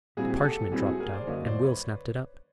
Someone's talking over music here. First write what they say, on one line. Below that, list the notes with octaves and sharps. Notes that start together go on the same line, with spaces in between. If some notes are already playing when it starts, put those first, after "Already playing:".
A parchment dropped out and Will snapped it up.
A#2 G3 C4 E4 F#4 G#4
G4
G#4
G4 A4
A#2 G3 C4 E4 F#4 G#4
F#4 G#4
G#4 A#4
C5 D5
F#2 D3 F#3 A#3 C#5 D#5
C5 D5
B4 C#5